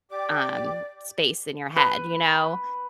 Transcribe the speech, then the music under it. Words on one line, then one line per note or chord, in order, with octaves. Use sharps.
um, space in your head, you know,
G4 D5 D6
B4